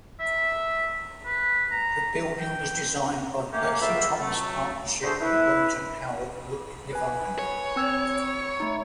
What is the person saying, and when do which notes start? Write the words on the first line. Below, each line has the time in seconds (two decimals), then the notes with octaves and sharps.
The building was designed by Percy Thomas Partnership and Renton Howard Wood Levin.
0.20 E5
1.25 B4
1.71 A#5
2.39 G5
3.53 A3 A#3 C#4 G4
3.81 C#2 A3 F4 B4 E5
4.19 F#3 A3
5.03 D3 A3 F#4 G#4 A4 C5
5.21 E4 B4
6.93 B4 G#5
7.39 C#5
7.76 C4 E6 G#6
8.60 A3 D#4